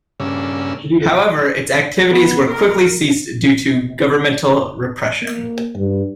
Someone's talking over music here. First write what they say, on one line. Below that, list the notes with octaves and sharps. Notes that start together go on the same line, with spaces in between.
However, its activities were quickly ceased due to governmental repression.
G2 C#3 A#3 C#4 D4 E6
B3
A#4
A#3
G2